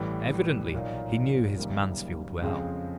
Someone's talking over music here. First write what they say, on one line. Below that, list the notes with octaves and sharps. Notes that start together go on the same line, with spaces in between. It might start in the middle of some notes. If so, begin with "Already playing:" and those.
Evidently he knew his Mansfield well.
Already playing: A1 A2 E3 G3
B1 A#2 F#3 A#3 D#4
F#1 F#2 D#3 G3 A#3
F2 C#3 F3 G#3 C4